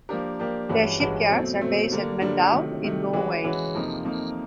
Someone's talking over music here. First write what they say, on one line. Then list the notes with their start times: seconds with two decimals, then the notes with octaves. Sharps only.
Their shipyards are based at Mandal in Norway.
0.09 F3 A#3 D4 G4 A#4
0.39 F3 A#3 D4 G4 A#4
0.69 G2 E3 G#3 C#4 F#4
1.00 G2 E3 G#3 C#4 F#4
1.31 B2 F#3 A3 C4
1.61 B2 F#3 A3 C4
1.92 D3 G3 A#3 D4
2.21 D3 G3 A#3 D4
2.52 C3 D#3 F#3 A3
2.83 C3 D#3 F#3 A3
3.13 E3 G#3 C#4 F#4
3.44 E3 G#3 C#4 F#4
3.74 F2 C3 F3 A#3 D#4
4.05 F2 C3 F3 A#3 D#4